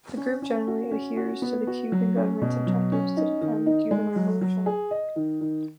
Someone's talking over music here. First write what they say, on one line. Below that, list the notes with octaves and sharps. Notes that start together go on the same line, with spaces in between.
The group generally adheres to the Cuban government's objectives "to defend the Cuban Revolution".
C#4
C#4
F#4
C#4
F#4
B3
F#4
F#3
C#4
B2
F#3
C#4
D#4
D#3
D#4
G#3
F#3
F#3
G#4
D#5
D#3
D#3